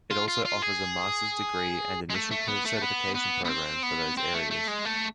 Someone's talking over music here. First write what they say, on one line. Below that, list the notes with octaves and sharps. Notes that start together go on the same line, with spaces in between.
It also offers a master's degree and initial certification program for those areas.
F4
F4
F4
G#4
G#3
A3
A3
B3
A3
B3
B3
B3
C4
B3
C4
A3
A3
G#3
A3